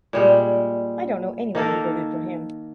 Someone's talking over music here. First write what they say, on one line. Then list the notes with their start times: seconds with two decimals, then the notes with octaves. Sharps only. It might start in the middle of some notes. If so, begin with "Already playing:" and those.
I don't know anyone who voted for him.
0.13 A#2 G3 G#3
1.55 D#3 A#3 A4 A#4